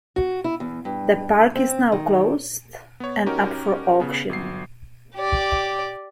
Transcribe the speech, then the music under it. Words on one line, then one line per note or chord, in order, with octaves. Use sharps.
The park is now closed, and up for auction.
F#4
E4
E2
G2
C4
D#3
B3 C#5
C#4 D#4 F#4 G4 A#4
C#3 B3
G1 F#3 C7
G4 D5